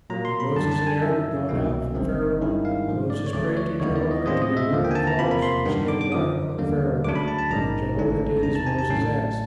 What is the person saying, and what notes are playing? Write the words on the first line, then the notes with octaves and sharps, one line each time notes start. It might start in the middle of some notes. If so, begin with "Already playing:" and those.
When Moses and Aaron had gone out from Pharaoh, Moses prayed to Jehovah to remove the frogs which he had brought upon Pharaoh; and Jehovah did as Moses asked.
A#2 F#3 A#3 A#5
C6
B5
F#2 D3 G3 A5
A5
G#5
F#2 C#3 E3 E5
C2 B2 F#3 A#3 C#4
G1 G2 D#3 G#3 C4
G2 D#3 G#3 C#4 E4
F5
G#2 F3 A3
D5
C#5
D2 C#3 F#3 A3 D5
C#5
D#2 D#3 G#3 B3 E4 C#5
D5
D#5
A2 F3 G#3 C4 F4 D#5
D#5
E5
D#2 D3 F3 A#3
G5
G#5
A5
A#5
E2 C3 F3 A#3 B5
B5
C6
G2 D#3 G3 B3 D4
D6
D6
F#2 D3 F3 D#6
D#2 D3 G3 A#3
D2 C#3 F#3 A3 D4 D6
B5
A5
A5
A#1 G#2 D#3 G#3 C#4 A#5
G#1 G#2 E3 A3 D4
E2 C3 D#3 A#5
A5
G#5
A5
A1 A2 F#3 A3 C#4